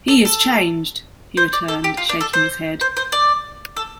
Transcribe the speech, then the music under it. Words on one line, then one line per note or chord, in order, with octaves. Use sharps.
"He is changed," he returned, shaking his head.
A4
A4
C5
D5
A4
G4
F4
D4
A4
C5
C5
C5
D5
A4